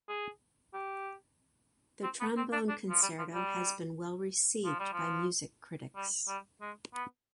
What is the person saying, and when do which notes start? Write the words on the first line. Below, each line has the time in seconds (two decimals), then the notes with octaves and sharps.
The Trombone Concerto has been well received by music critics.
0.08 G#4
0.74 G4
2.03 C4
2.20 B3
2.37 C4
2.52 D4
2.69 D4
2.90 F3
3.02 G3
3.18 F3
3.34 G3
4.65 F3
4.79 G3
4.93 F3
5.96 G3
6.28 G3
6.61 G#3
6.94 B3